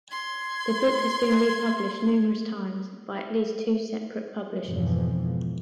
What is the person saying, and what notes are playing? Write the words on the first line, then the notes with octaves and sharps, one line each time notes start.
The book has been republished numerous times, by at least two separate publishers.
C6 G#6
F2 G#2 B2 E3 F3